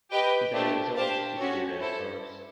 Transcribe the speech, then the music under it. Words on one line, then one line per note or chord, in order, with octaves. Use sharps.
He then resumed his earlier course.
G4 B4 D#5 G5
A3 D4 G4 C5
D4 G4 C5 F5 A5
C#4 F#4 A4 C#5
E4 A4 C5